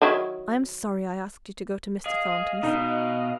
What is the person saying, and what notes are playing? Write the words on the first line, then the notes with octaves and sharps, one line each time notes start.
'I am sorry I asked you to go to Mr. Thornton's.
D#3 F#3 E4
G#4 D#5 F5
B2 D#4